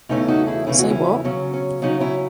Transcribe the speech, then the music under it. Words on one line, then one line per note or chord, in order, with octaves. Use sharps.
Say what?
E2 C#3 E3 A3 C#4 D#4
D#4 F#4
E4 G#4
E2 C#3 E3 A3 C#4 E4
F#4
C#4 E4
C#3 F#3 C#4
C#4
C#3 F#3 C#4 D#4
C#4 E4